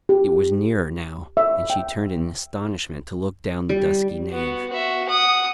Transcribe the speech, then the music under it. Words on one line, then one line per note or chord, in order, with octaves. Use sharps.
It was nearer now; and she turned in astonishment to look down the dusky nave.
G4
E5
G5
G3
B3 F#4
F#4 E5
F#5 D#6